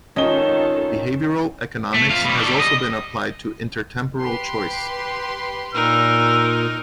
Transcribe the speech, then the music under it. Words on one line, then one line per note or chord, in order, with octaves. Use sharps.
Behavioral economics has also been applied to intertemporal choice.
D#3 C#4 F4 A4 D#5 G7
A3
F2 F5
B2 G3
G3 A4
D#5
G4 B4 C6
A#2 D#4 A#4 E6